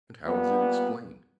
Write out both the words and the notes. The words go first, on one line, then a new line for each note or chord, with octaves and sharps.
"And how is it explained?"
A#2 G3 B3